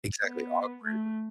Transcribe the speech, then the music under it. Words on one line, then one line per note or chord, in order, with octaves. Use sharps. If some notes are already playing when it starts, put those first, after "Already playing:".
exactly, awkward.
B3
A3